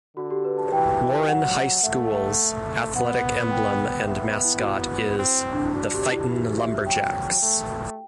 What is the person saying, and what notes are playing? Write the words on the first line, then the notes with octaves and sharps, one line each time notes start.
Warren High School's athletic emblem and mascot is The Fightin' Lumberjacks.
D3 F#4
G4
B4
A5
E3 G5
F#3 F#5
A3 E5
B3 F#5
G5
B3 E5
E4
F#4
E4
C4
D4
E4
D4 F#4
G4
E4
E3 F#4
E5
F#3 G5
A3